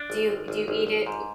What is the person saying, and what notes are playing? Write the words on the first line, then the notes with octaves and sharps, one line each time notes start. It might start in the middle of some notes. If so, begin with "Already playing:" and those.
Do you do you eat it l
Already playing: D4
G#1
G#1
G#1
G#1
G#1
G#2